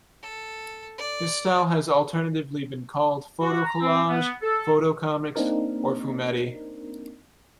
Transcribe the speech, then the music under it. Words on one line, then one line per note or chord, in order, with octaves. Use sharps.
This style has alternately been called photocollage, photocomics or fumetti.
A4
D5
F#4
A#5
C4
B3
A4
A#3 C4 D4 D#4 A#4